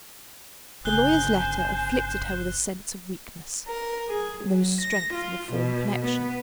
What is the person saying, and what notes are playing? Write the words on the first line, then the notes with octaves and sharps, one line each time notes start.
The lawyer's letter afflicted her with a sense of weakness, and there was strength in the Fawn connexion.
G1 C#3 C5 G#5 F#6 G7
A#4
G#4
F#3
A#6
F4
B2
B3